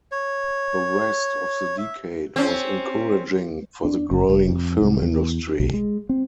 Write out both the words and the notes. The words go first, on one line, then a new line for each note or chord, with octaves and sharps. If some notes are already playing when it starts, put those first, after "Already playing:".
The rest of the decade was encouraging for the growing film industry.
C#5
E5
C4 C#4
D4
F#1
F1
F2
C2
E2
B1
G#3
C4